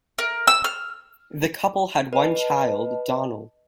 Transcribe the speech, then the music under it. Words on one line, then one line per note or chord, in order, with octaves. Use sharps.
The couple had one child, Donald.
A#4
E6
F6
B4 D#5 A5